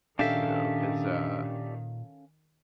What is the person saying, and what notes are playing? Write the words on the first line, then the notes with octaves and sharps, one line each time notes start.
you know? 'Cause, uh
A#2 D#3 C#4 D4 G4 A4 E5 F5